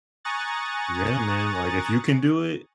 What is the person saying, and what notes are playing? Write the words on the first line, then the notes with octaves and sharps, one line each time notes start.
Yeah, man. Like, if you can do it
G#5 A#5 C#6 D#6 F#6 A6